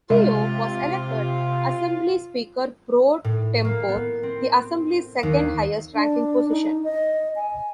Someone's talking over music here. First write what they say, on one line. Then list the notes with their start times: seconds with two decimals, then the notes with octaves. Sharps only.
Kehoe was elected Assembly Speaker pro Tempore, the Assembly's second highest-ranking position.
0.10 C3 G#3 F4 D#5 E5
3.24 A2
3.65 A#3
3.88 B3
4.23 C4
5.23 D#2
5.95 D4
6.50 D#4
6.84 D#5
7.36 G#5